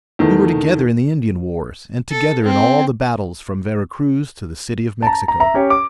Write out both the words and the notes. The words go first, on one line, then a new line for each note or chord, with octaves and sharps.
We were together in the Indian wars, and together in all the battles from Vera Cruz to the City of Mexico.
E2 D#3 A3
A4
C4
A5 A#5
A#5
E5 A#5
C#4 G4 C#5
D6